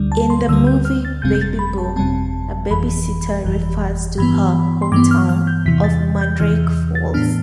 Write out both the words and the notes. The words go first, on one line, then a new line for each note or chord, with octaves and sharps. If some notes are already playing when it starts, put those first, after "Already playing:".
In the movie "Baby Boom", a babysitter refers to her hometown of Mandrake Falls.
Already playing: D2 D3 G3
A5
C6
D2 D3 G3 E6
G6
F6
A6
G1 F2 C3 G3 C4 G6
G6
A6
B5
A5
G1 F2 C3 G3 C4 A5
G1 F2 E3 B5
G1 F2 E3
G2 E3 B3 B5
C6
G2 E3 B3 D6
F6
F6
G6
E2 C3 E3 B6
A6
G6
E2 C3 E3 F6
A6
A2 E3 B3 D4 F6